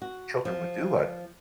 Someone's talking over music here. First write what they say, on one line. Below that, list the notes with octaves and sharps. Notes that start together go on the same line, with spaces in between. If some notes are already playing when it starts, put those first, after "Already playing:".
children would do, I'd
F#4
F3